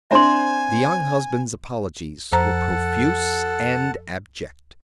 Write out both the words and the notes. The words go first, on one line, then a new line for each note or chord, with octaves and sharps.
The young husband's apologies were profuse and abject.
C4 D4 C5 E5 G#5 C6
F2 A4 C5 F#5 A5 A#5